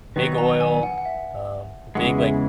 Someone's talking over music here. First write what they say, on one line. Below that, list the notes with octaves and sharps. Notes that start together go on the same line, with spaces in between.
big oil, um, the big, like,
D#3 F#3 B3 D#4 F#4 B4
A#5
G#5
F#5
F#5
E5
E2 C#3 E3 G#3 F#5
E5